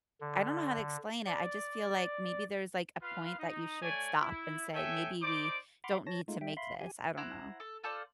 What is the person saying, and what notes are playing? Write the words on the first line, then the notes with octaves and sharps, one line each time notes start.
I don't know how to explain it, I just feel like maybe there's, like, a point that you should stop and say, "Maybe we don't need to make this." I don't know.
D3
D5
F4 B4 F5
D#4
A3 C#5 D5 G#5
E4
A4 C#5 E5 G5 G#5
D#4 C5 D5 D6
F#5 B5 C6 D6 F6
C#5 A5 A#6
G#3 A3 D#4 F4
G3 E5 G5
E5 F5 B5 C6
G4 G#5
E4 C5 F#5 A#5
A4
F4 A4 C5 D5